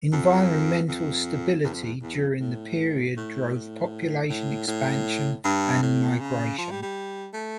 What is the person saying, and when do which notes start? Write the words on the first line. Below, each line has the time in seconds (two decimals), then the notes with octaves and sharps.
Environmental stability during the period drove population expansion and migration.
0.13 F2
0.88 F2
1.64 E2
1.73 F2
1.83 E2
2.02 E2
2.15 F2
2.40 A2
3.17 A2
3.54 A2
4.29 A2
4.67 A2
5.44 G2
5.82 A2
6.10 A#2
6.20 C#3
6.58 F3
6.71 G3
6.83 G3
7.33 A3